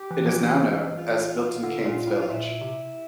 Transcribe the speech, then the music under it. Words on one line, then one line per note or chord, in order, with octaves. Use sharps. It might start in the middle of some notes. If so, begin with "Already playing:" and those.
It is now known as "Milton Keynes Village".
Already playing: G4
E3
F3
E3
F4
D3
A#2
A2
F4
A#2 E4
C3